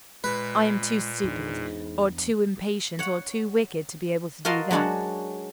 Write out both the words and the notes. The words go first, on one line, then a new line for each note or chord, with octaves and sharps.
I am too stupid, or too impatient, or too wicked to be able to do that.
A#2 G#3 B4
E2 G#2 D4
C#5 F#5
F#4 A#4 D#5 F5 A5 C6
F#3 G#3 D4 F#4 A5